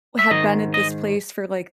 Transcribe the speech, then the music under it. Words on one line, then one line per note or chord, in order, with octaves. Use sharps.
had been at this place for like
E5
G#2 D#3 D#5
D#5